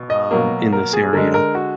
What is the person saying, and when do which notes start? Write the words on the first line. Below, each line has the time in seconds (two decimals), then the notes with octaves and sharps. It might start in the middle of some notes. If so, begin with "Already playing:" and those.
um, in this area,"
Already playing: B2
0.10 D#5
0.31 B2 F#3 A#3
0.73 A#4
0.93 G#4
1.13 D3 G#3 A#4
1.34 A#4
1.55 F#4